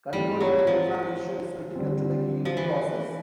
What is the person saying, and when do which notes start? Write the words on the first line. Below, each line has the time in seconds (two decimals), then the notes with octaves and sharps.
Controlling the inflammation is critical to the healing process.
0.13 G#2 E3 G3 A3 C4
0.41 F#3
0.67 F3
1.76 D3 G3 C4
2.45 F3
2.57 E3